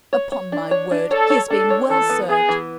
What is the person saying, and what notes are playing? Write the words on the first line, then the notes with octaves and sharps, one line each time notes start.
Upon my word, he has been well served.
C#5
C#5
D4
C#5
D4
A4 C#5
C#5
D4 A4
C#5
E3 A4
B3
B3 G#4
E3